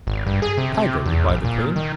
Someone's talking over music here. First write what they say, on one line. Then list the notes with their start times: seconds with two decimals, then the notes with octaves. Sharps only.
'Tiger?' replied the queen.
0.07 G#1
0.26 G2
0.42 G#4
0.57 C3
0.75 C3
1.06 E2
1.29 A#1
1.45 A#2
1.76 D#3